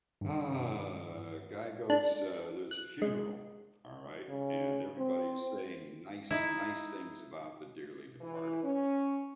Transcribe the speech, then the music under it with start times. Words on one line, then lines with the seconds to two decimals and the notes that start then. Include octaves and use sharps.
Uh, guy goes, uh there's a funeral, all right, and everybody's saying nice nice things about the dearly departed.
0.21 G2 D#3
1.90 D4
2.71 F#6
3.02 G#3
4.29 C#3
4.98 C4
6.31 D#4 E4
8.21 E3
8.63 C#4